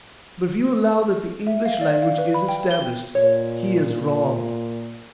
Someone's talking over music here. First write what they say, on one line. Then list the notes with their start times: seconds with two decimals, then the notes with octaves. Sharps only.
But if you allow that the English language is established, he is wrong.
1.47 E5
1.65 F5
1.81 D5
2.02 F5
2.18 B4
2.34 B5
2.48 G5
2.71 G7
3.15 A#2 C#5